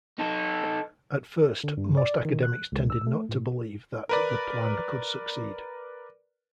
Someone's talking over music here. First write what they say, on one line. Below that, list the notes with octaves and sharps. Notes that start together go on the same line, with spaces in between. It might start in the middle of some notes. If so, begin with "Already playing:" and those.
At first, most academics tended not to believe that the Plan could succeed.
D#4 A4
D3
G2
D5
D#3
F#6
C#2
E6
A3
A2
A#4 B4 D5